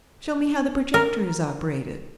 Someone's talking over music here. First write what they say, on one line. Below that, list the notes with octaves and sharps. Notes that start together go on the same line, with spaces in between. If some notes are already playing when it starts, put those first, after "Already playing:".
Show me how the projector is operated.
A#4